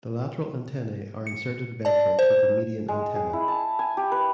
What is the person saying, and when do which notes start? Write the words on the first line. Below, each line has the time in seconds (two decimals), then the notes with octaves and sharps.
The lateral antennae are inserted ventral to the median antenna.
1.27 C#7
1.85 D5 A5
2.19 C5
2.88 G#3
3.16 G#4
3.33 E4
3.48 A5
3.79 G#5
3.97 G4
4.12 B4